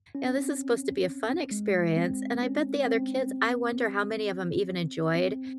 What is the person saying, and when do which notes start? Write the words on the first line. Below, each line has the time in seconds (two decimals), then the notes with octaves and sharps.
now, this is supposed to be a fun experience, and I bet the other kids I wonder how many of 'em even enjoyed
0.15 C#4
0.37 C4
1.51 G#3
1.96 C4
2.42 C#4
2.88 C4
5.15 C4